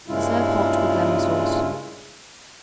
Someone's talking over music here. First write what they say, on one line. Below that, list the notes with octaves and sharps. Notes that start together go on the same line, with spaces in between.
Serve hot with lemon sauce.
G2 A#2 C#3 G#3 E4 F4